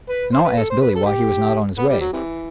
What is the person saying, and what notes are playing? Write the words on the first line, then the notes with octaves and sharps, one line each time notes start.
And all asked Billy why he was not on his way.
B4
C5
B4
A4
C5
B4
A4
G4
B3
G3
F#3
C3 E3